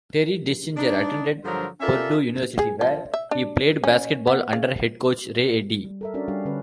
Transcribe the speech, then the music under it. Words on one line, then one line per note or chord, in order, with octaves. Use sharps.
Terry Dischinger attended Purdue University where he played basketball under head coach, Ray Eddy.
D4 D#4 D5
G2 D3 F3 F#3 A#4 C5
C#4 F4 A4 A#4 D5 E5
G#4
F3
E5
D4
C#4
B3
C#3
G3
A4 A#4 E5
C#4 D4 F#4 A#4 D5
G3 D4 G4 F5
D3 C#4 B4